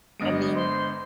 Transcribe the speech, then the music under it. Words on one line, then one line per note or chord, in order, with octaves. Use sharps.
I mean
G1 G#3 B3 D4 D#5 D7
C5 C6